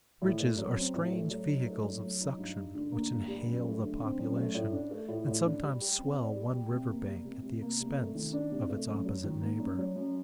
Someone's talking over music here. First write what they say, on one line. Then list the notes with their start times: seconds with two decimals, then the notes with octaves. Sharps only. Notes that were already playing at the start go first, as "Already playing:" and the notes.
Bridges are strange vehicles of suction, which inhale the population, and sometimes swell one river-bank at the expense of its opposite neighbour.
0.22 A2
0.40 A3
0.58 F#3
0.75 C4
0.94 A2
1.12 A3
1.30 F#3
1.48 D#4
1.66 A3
1.84 F#3
2.03 F#3
2.20 D#4
2.38 G2
2.56 G3
2.75 D3
2.92 A#3
3.11 G2
3.28 G3
3.46 F#2
3.64 A3
3.82 D3
4.00 C4
4.19 F#2
4.36 A3
4.55 A2
4.72 D4
4.91 A3
5.09 A2
5.27 A2
5.45 D4
5.63 G3
5.81 G4
5.99 C4
6.18 D5
6.36 G3
6.53 G4
6.71 C3
6.89 A#3
7.07 G3
7.25 C3
7.43 C3
7.61 A#3
7.80 C3
7.97 A3
8.15 D#3
8.33 D4
8.52 C3
8.69 A3
8.88 F#2
9.05 F#3
9.24 D#3
9.41 A#3
9.59 F#2
9.78 F#3
9.96 F#2